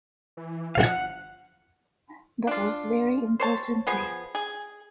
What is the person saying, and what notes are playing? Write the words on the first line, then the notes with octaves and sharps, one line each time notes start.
That was very important to him.
E3
F3 F5 F#5
G1
D4 F4
C5 C#5 A5
F3 B3 G#4
G#4